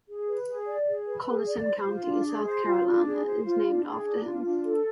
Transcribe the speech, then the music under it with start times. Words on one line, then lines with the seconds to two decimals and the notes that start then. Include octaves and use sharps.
Colleton County, South Carolina, is named after him.
0.09 G#4
0.29 B4
0.48 G#4
0.68 D5
0.88 G#4
1.08 B4
1.27 G#4
1.47 D5
1.67 C5
1.87 F4
2.06 D4
2.26 G#4
2.46 C5
2.66 F4
2.86 D4
3.06 G#4
3.26 C5
3.45 F4
3.65 D4
3.85 G#4
4.05 D4
4.25 F4
4.44 D4
4.64 A4